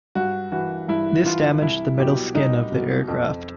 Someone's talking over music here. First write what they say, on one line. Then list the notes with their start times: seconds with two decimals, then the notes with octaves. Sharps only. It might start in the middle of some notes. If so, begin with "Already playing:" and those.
This damaged the metal skin of the aircraft.
0.15 G2 F#4
0.52 E3 F#4
0.88 G2 E4
1.25 E3 F4
1.62 C2 E4
1.98 B2 F#3 G4
2.35 C2 D#4
2.72 B2 F#3
3.08 F2